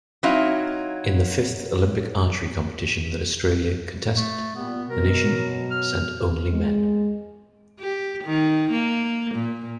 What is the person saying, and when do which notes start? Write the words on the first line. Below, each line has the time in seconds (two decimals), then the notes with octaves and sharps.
In the fifth Olympic archery competition that Australia contested, the nation sent only men.
0.23 F#3 C4 D#4 E4 D#5 F5
4.17 A3
4.56 A#2 G3 B3
4.89 B2 F#3 A#4
5.71 F6
6.52 G#3
7.80 G4
8.24 D#3
8.72 A#3
9.35 A#2